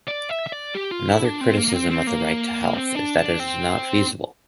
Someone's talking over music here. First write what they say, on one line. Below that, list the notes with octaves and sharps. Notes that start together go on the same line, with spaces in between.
Another criticism of the right to health is that it is not feasible.
D5
E5
E5
D5
G4
F4
E4
D4
C4
A#3
A#3
C4
C4
A#3
C4
D4
D4
C4